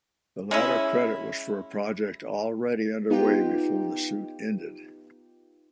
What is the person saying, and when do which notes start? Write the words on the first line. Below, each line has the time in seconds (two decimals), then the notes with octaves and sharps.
The latter credit was for a project already underway before the suit ended.
0.51 G#3 C#4 E4
3.10 B3 D#4 F4 G4 G5